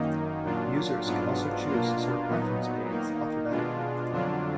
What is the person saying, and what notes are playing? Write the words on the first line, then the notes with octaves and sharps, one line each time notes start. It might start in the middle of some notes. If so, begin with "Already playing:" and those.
Users can also choose to sort preference panes alphabetically.
Already playing: F#2 D#3 A#3 D#4
A#2 F#3 D4 F4
G#2 F#3 B3 D4 F4
B2 A#3 D4 F4
A#2 F#3 B3 D#4
D#3 A#3 D#4
B2 G#3 D4 F4
F2 D3 F#3 D4 F4